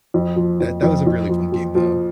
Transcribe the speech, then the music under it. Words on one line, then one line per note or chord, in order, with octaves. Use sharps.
that that was a really fun game, though.
F2
F3
F2
F2
F2
F3
F3
F3